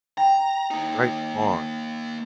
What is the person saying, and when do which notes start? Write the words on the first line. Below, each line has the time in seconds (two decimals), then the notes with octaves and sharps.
Right on.
0.18 G5 A#5
0.71 A#3 D#4